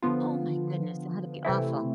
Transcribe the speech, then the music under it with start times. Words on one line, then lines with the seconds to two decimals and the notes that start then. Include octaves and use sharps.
Oh my goodness, that had to be awful.
0.02 D3 F3 B3 F4
1.45 C3 E3 A3 C4 E4